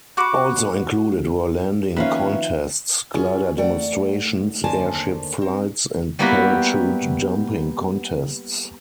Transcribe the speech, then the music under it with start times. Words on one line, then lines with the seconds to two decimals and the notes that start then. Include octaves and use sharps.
Also included were landing contests, glider demonstrations, airship flights, and parachute-jumping contests.
0.17 F#4 B5 D6
1.96 D#3 F3 A#3 B3 C#4 B4 E5 F5
3.14 C#4 F4 G#4
3.58 A3 D5 F#5 G5
4.64 D#2 D3 A#3 C5 G#5 A5
5.42 C4
6.19 G3 A#3 B3 E4 F#4 G4